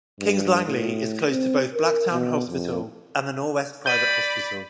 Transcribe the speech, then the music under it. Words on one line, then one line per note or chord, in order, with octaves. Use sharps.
Kings Langley is close to both Blacktown Hospital and the Norwest Private Hospital.
G2
A2
C4
A#4
B2
F2
D5 B5 G6 D#7